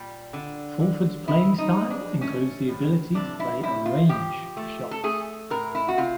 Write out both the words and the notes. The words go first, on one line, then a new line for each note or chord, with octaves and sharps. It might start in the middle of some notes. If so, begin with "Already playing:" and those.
Fulford's playing style includes the ability to play a range of shots.
Already playing: A#2 G3
D3
D3
C#3 E4
D#4
G#3
D4
A3 C#4
A2
C3 D4
E4
C3 E4
F4
F3 G4
A3
A4
A3 G#4
A2 A#4
E4
F#4
C3 F4